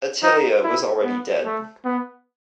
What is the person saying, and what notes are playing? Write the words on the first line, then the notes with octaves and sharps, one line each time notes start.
Attilia was already dead.
D#4
E4
B3
A3
B3